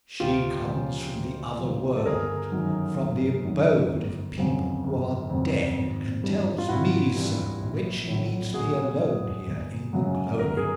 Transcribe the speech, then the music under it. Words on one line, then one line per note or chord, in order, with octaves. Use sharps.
She comes from the other world--from the abode of people who are dead; and tells me so when she meets me alone here in the gloaming!
D2 F4 G4
C#3 F3
D2
C#3 F3
A4
G1 G#4 A#4
F#2 D#3 F#3
G1
F#2 D#3 F#3
G1
F2 C#3 F#3
G1
F2 C#3 F#3
G#1
G2 E3 G3
F4
G#1 E4 F#4
G2 E3 G3
A#1
A2 F#3
A#1 F#4 G#4
A2 F#3
G1
F#2 C#3 F#3
G1 A#4
G#4 A#4